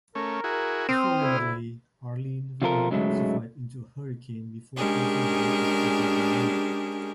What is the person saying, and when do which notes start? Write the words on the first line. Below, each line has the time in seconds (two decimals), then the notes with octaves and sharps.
The following day, Arlene re-intensified into a hurricane before passing directly over Bermuda.
0.15 A3 C#4 A#4
0.44 E4 F#4 G#4
0.89 C4 C5 D#6 F6
1.18 D2 C#3 E4
2.62 C3 F3 F4 A4 A#4
2.91 G#2 C#3 F#3 G#3 A3
4.76 G#3 C#4 D4 G4 G#4 A#4